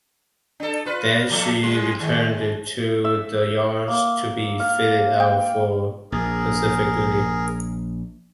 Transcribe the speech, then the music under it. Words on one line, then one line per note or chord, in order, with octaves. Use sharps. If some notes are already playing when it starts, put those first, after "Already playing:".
Then, she returned to the yards to be fitted out for Pacific duty.
D4 A4
F4 B4
F3 A3 A4
G3
D#3 G#3
E5
A#3
F5
G5
A#1 G#4 A#4